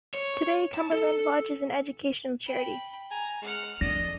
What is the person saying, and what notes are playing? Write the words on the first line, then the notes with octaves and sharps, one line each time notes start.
Today Cumberland Lodge is an educational charity.
C#5
A5
A4
G5 B5
G#5 A#5
G#3 F#5 F6
F2 D4 D#5 A#6